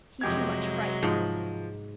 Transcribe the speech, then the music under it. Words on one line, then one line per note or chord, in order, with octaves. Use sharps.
He too much fright.
F2 C3 F#3 G#3 G4 G#6
G#2 F3